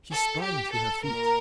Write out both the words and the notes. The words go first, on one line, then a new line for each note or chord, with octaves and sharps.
She sprang to her feet.
A4
G4
A4
A#2 A#4